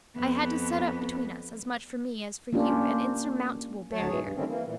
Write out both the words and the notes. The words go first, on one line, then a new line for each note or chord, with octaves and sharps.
I had to set up between us, as much for me as for you, an insurmountable barrier.
F2 B3
A#3 C#4 D4 F4 G4
D2 F#3 C#5 A5
G#2 B2 E3 G#4 C#5
G2
D3 D#3 G3 A3 C4 C#4
E3 A#3
A#2 E3